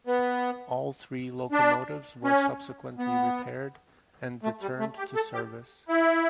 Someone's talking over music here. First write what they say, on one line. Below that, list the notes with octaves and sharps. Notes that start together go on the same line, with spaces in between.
All three locomotives were subsequently repaired and returned to service.
B3
D4
C#4
B3
A3
G3
A3
G4
A4
G4
E4